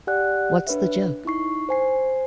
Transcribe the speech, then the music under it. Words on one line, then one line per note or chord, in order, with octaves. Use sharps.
What's the joke?
G4 D5 F#5 G#5 F#6
D4 B4 C#5 E5
D#4 E4 C#6 C7
C5 G#5 C7